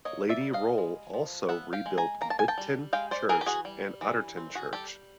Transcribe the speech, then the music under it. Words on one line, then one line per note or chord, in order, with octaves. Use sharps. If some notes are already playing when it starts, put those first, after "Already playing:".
Lady Rolle also rebuilt Bicton Church and Otterton Church.
A#3 C#5 D#5
D5 E5
G3
D#5 F5
G#3
F3
B3 E5 F#5
F5 G5
G#3
G#5 A#5
A#3 A#5
A5
G#5
G5 A5
G3
G#3 F5 G5
C5 D5
E3 G#4 A#4
G4
F#4 G#4
G3
E3
C4
F#4 G#4
G3 G4 A4